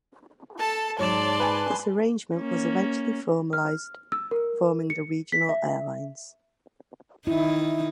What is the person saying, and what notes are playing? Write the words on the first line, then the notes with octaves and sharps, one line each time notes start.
This arrangement was eventually formalized, forming the regional airlines.
A4 A5
G#2 F#3 D5 A5 C6 E7
B4 G#5
A#3 C#4
F6
E6
A#4
C#7
B6
E5
D#3 D#4 E4